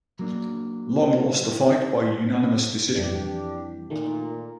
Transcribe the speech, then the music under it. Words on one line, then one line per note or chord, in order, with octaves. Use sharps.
Long lost the fight by unanimous decision.
F#3 A#3 D4
F2 E3 G3 D4 G4
A#2 D#3 A3